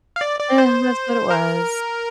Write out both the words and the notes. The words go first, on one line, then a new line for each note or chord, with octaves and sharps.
eh, that's what it was.
F5
D5
D5
C5
A#4